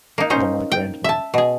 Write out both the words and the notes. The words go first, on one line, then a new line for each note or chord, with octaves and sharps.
Tell my grandma!
A#3 D#4
C#4 D#4 C5
G5
E5 A5
B2 G#4